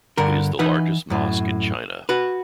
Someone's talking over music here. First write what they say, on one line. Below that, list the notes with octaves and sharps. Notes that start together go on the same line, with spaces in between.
It is the largest mosque in China.
G2 D3 A#4
E3 D#4 B4 F#5
F#2 A2
F#4 B4